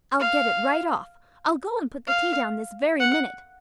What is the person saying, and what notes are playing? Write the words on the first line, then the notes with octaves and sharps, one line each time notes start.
"I'll get it right off--I'll go and put the tea down this very minute."
F5
F5
F#5